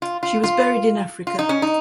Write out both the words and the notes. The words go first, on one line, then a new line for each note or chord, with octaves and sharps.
She was buried in Africa.
F4
F4
F4
F4
D#4
C#4
D#4